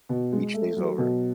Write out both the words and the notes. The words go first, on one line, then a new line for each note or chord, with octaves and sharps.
Beach day's over.
B2
G#3
A3
F#3
B2